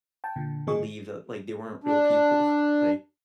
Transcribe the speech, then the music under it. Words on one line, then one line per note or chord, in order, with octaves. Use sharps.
believe that, like, they weren't real people, like,
G5 A5
A#2 D3
A2 D#3 A#3 G#4 D#5 C#6
D4